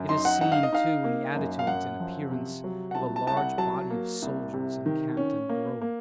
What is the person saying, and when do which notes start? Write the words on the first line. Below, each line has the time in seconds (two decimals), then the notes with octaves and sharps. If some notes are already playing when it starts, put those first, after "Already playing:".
It is seen, too, in the attitudes and appearance of a large body of soldiers encamped in a grove.
Already playing: F#2
0.09 D#4 C6
0.25 F#5
0.41 D#4 F#5
0.52 F5
0.63 D#5
0.72 D#4 F5
1.04 A#3
1.36 F#2
1.59 F5
1.67 F#2 F#5
2.00 F3
2.31 C3
2.64 F#3
2.91 F#5
2.95 C2 A5
3.16 A5
3.27 C2 A5
3.37 F#5
3.58 F#3 A5
3.90 A#3
4.22 C2
4.53 C3
4.86 D#3
5.17 C#4
5.49 A#3
5.81 A#3